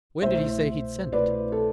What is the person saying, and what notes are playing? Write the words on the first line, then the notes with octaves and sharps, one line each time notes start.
"When did he say he'd send it?"
C2 B2 A3 E4 C5 E5
C2 B2 A3 E4 B4 D5
A4